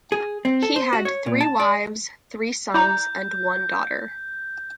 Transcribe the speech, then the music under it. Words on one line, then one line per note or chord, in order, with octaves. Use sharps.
He had three wives, three sons, and one daughter.
G#4
C4
A4
C5
F#4
C#5
A#2
A5
D5
E4 D5 A#5 G6